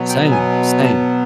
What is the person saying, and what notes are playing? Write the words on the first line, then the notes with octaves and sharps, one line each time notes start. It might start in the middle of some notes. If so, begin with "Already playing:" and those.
Same, same.
Already playing: B2 F#3 B3
G5
G#5
A5